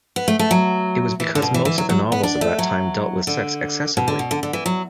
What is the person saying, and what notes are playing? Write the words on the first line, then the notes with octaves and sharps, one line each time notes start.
It was because most of the novels of that time dealt with sex excessively!
B3
A3
A3
F#3
E3
D3
B2
E3
E3
F#3
F#3
B3
D4
A3
F#3
D3
B2
D3
B2
D3
D3
E3
F#3